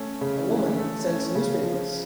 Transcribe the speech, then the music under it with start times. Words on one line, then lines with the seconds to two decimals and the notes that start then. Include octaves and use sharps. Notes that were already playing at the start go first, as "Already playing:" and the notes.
A woman sells newspapers.
Already playing: A3 C#4
0.21 C#3
0.49 E3
0.77 A3
1.07 C#4
1.35 C#3
1.63 F3